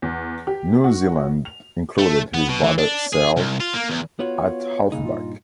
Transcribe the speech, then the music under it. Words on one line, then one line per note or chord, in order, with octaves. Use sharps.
New Zealand included his brother Sel at halfback.
E2
G4
F#4
F7
A3
B3
B2
E3
D4
G#4
C2
F4
A#3
E2
B3 F4 F#4 C#5
G2 A#2 C#3 D#4
F4